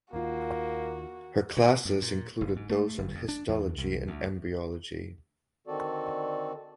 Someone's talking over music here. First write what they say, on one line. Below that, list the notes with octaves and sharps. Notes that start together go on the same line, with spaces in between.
Her classes included those on histology and embryology.
D#2 A#3 F4 F#4
A#2
F#2
A#2
F#1
G#2
A3
G1
F2
D4
E2
C2
D2
D3 D#3 C4 F#4 A4 D5